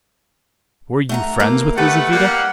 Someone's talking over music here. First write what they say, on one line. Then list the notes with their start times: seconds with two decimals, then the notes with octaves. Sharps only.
"Were you friends with Lizaveta?"
1.09 A3 F#5 A#5
1.39 E3 A3 A#3
1.78 A3 G4 B4 F#5
2.12 G3 A#3